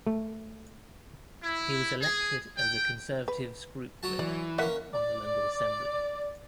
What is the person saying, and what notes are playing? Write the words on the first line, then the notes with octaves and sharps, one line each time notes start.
He was elected as the Conservative's Group Whip on the London Assembly.
A3
E4
G#4
G5
B4
F#3 F#4 A5
E3 D5
A#3 C#4 B4 E5 F#5
D5